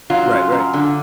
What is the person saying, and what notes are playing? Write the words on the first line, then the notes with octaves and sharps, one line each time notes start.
Right, right.
F#3 F4
F#2
F#2
D3